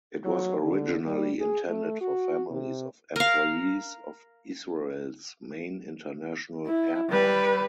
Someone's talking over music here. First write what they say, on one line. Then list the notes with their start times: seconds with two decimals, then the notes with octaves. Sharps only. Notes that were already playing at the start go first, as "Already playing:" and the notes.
It was originally intended for families of employees of Israel's main international airport.
0.24 F#3
0.64 D3
1.06 G3
1.40 G#4
1.70 A3
2.01 F#4
2.51 C3
3.16 A#4 F5
6.67 E4
7.10 G3 B4